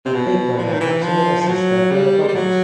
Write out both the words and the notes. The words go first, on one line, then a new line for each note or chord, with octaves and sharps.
A big brother helps a little sister blow bubbles.
C3
B2
F3
E3
D#3
E3
F3
F3
F#3
G3
G#3
G3
F#3